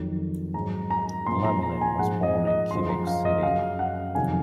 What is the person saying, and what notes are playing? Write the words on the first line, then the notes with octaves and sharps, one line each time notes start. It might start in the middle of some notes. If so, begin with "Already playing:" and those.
Lemelin was born in Quebec City.
Already playing: F2 D#3 F#3
G#2 F#3 A#5
A#5
A#2 F3 C6
A#5
A#5
G#5
G#2 F3 F#5
D#5
D#5
F#2 C#3 F3 C6
A#5
F5
D#5
F#2 C#3 F#3 F5
F#5
F2 C3 D#3 F#3 G#5